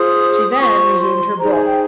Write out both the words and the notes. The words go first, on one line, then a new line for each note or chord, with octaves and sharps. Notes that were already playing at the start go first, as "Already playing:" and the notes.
She then resumed her book.
Already playing: F4 G#4 C5 D#6
F4 C5 C#6
C6
D#4 G#4 C5 A#5
G#5
G5